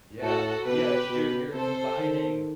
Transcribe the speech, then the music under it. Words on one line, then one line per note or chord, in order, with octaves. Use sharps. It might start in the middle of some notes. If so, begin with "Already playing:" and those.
Yeah, yeah, 'cause you're you're combining,
A2 F#4 A4
B2 G4 B4
B2
C3 A4 C5
D#3